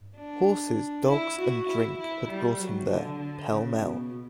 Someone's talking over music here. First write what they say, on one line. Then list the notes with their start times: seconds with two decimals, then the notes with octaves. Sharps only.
Horses, dogs, and drink had brought him there, pell-mell.
0.17 D4
1.08 E4
1.39 F#4
1.68 E4
1.99 E4
2.29 G3
2.60 F#3
2.89 D3
3.19 D3
3.50 C#3
3.80 B2